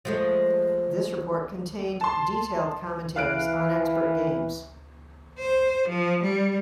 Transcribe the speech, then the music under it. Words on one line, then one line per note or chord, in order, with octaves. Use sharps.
This report contained detailed commentaries on expert games.
F3 G#3 A3
A5 C6
E3 F5 F#6 D7
C5
F3
G3